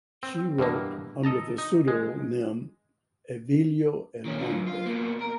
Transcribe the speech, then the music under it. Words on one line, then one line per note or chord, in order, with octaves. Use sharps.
She wrote under the pseudonym "Evelio El Monte".
C4
G2 B2 E3 A#3
A4 D#5 A5 A#5
D#4
G#3
D#3 C#4
D3 F4
F#2
F4
B2 A#3
A#4